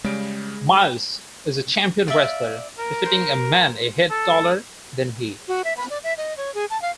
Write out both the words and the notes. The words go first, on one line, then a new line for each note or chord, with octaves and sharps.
Myles is a champion wrestler, defeating a man a head taller than he.
C#3 G3 G#3 D7
D5 E5 F5
A#4
C5
A4
F#4
E5
B5
D5
E5
D#5
C#5
G#4
A5
F5